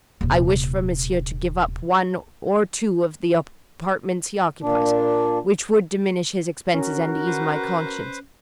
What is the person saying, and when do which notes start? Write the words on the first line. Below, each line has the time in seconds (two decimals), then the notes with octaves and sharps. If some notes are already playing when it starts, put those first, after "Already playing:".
I wish for monsieur to give up one or two of the apartments he occupies, which would diminish his expenses and ease my conscience.
0.21 D#1 C3
4.62 A#2 D4
6.74 C#4 F#4 A#4
7.27 B4 C5